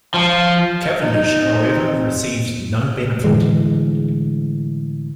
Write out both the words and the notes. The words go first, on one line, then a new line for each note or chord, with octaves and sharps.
Cavendish, however, received no benefit.
F3
D#4
C4
A2 D3 E3 G#3